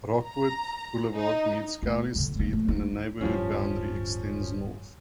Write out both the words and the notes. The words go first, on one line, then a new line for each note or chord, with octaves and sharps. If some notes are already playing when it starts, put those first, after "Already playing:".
Rockwood Boulevard meets Cowley Street and the neighborhood boundary extends north.
A#5
D#4
A3 E4
D3 C4
A3 A#3
A3
D#4
D1 G2 F3 G3 C#4